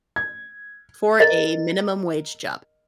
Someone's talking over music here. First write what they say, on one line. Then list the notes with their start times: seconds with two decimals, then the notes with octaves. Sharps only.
For a minimum wage job.
0.16 G#6
1.20 A#4 D#5